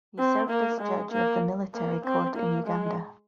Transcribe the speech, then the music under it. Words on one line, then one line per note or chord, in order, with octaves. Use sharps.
He served as judge of the military court in Uganda.
C4
A#3
G#3
A#3
A#3
C4
A#3
G#3